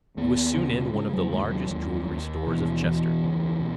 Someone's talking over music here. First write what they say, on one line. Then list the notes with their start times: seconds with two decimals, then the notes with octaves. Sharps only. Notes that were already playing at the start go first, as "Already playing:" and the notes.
He was soon in one of the largest jewelry stores of Chester.
0.17 D#2 B3
0.55 C#3
0.94 C#3 G#3
1.13 F#3
1.32 D#2 G#3
1.51 F#3
1.70 D#2
2.08 D#2
2.47 B2 E3
2.84 E2
3.23 C#2
3.61 B2